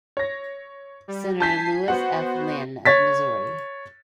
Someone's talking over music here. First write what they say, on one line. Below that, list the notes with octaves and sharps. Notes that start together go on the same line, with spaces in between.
Senator Lewis F. Linn of Missouri.
C#5 A#6
G3
G#5 A5 G6 B6 C7
B3 F#4 C5 F#5
C#5 A6 B6